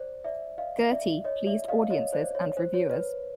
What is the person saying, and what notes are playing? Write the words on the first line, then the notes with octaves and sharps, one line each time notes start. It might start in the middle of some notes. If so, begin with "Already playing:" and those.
"Gertie" pleased audiences and reviewers.
Already playing: C5 D5
D5 E5
D#5 F5
D5 E5
C#5 D#5
D5 E5
D#5 F5
C#5 D#5
C5 D5
C#5
C5
C#5
B4